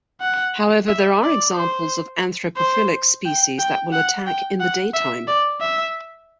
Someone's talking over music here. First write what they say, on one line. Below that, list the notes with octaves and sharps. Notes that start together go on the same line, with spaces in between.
However, there are examples of anthropophillic species that will attack in the daytime.
F#5
E5
D5
C5
C5
G5
G5
F#5
G5
F#5
E5
D5
E5